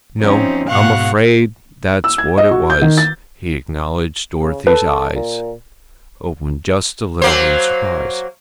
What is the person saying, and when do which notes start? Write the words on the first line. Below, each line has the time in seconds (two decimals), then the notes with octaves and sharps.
"No, I'm afraid that's what it was," he acknowledged Dorothy's eyes opened just a little in surprise.
0.19 E3 F3 C4 C#4 D#4
0.68 G#2 B2 F5 F#5 C#6 F#6
2.04 E6
2.18 G#6
2.38 D#5
2.51 F#4
2.70 G6
2.82 D#3
2.98 A6
4.42 C#3
4.67 A4 B4
5.15 A#2
7.22 F#3 A#3 C5